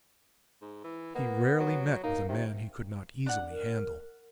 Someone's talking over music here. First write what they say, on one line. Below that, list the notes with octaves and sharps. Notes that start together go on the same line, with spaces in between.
He rarely met with a man he could not easily handle.
G#2
E3
A#3 B3
F#3
A#3 D#4
C3 D#3
D4 F#5
A#4